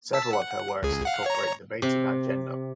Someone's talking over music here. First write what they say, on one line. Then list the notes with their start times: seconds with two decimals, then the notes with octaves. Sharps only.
Several of her works incorporate debates about gender.
0.13 A5 E6 B6
0.33 F#5
0.83 C#2 G#4
1.05 F5 F#5
1.26 C#5 A#5
1.82 C3